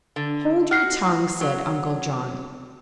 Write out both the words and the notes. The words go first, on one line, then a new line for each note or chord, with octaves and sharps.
"Hold your tongue," said Uncle John.
D3
F#4 F6 F#6 C7
F#3